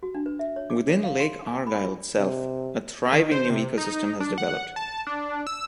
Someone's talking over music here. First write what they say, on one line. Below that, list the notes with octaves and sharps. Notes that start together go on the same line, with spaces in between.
Within Lake Argyle itself a thriving new eco-system has developed.
F#4
D4
B4
E5
C#5
D6
C#5
F5
C6
G#5
B5
F4
C3
D#3
C5
C3
D#4
D4
F#5
A5
D4
E6